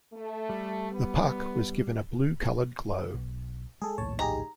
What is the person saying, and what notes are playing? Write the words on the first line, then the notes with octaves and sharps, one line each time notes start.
The puck was given a blue-colored glow.
A3
G3
B3
B1
G#3 G#4 A4
A#1 D#2 A2 C#5 A5
D#4 G4 G#4 A#5